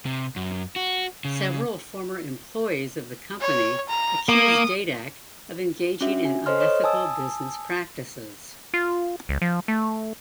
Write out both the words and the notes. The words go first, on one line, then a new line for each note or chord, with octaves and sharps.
Several former employees of the company accused Dadak of engaging in unethical business practices.
C3
F#2
F#4
C#3
C#5
A#5
A#3 D#6
C#4 D4 F#4 E5
G#5
A4 C5 C#5 D#5 C6 F6
C#5 D#5
G#5 A5 D#6 E6
F4
C#2
F3
A3